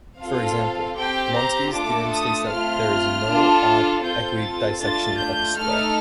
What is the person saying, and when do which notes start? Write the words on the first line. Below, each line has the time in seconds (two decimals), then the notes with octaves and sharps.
For example, Monsky's theorem states that there is no odd equidissection of a square.
0.20 C4 F4 A4 F5
0.97 C4 G4 G5
1.35 A#5
1.73 A3 D4 F4 A4 D6
2.12 D#6
2.50 A3 C4 F4 F6
3.26 D4 F4 A4
4.03 C4 F4 A4 G6
4.42 A6
4.80 A3 D4 F4 A6
5.18 G6
5.56 A3 D#4 A4 F6